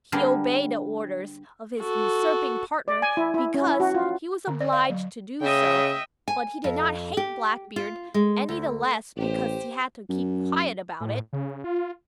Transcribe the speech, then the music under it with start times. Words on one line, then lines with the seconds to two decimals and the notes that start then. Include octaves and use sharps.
He obeyed the orders of his usurping partner because he was obliged to do so, but he did not hate Blackbeard any the less because he had to keep quiet about it.
0.12 D3 G3 A#3 B3 G#4 A#4
1.80 F#4 A4
2.88 D5
3.02 G#5
3.17 E4
3.34 E4
3.54 C#4
3.67 E4
3.80 F#4
3.94 F4
4.47 D3
4.61 D5
4.73 F5
4.90 F#3
5.41 C#3 D#5 E5 G5
6.28 G#5
6.64 F2
7.17 G4
7.76 F4
8.14 G#3
8.49 D2
9.17 A1 G4 C5
10.09 F#2
11.01 A2
11.33 C#3
11.64 F4